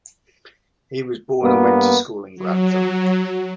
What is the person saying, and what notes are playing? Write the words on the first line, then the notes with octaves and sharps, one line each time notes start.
He was born and went to school in Grantham.
G2 A#3 B3
F#3